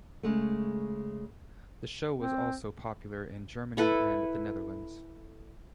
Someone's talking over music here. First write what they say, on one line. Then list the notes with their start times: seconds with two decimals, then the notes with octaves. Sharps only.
The show was also popular in Germany and the Netherlands.
0.23 C#3 G#3 A3
2.18 C4
3.77 E4 A4 B4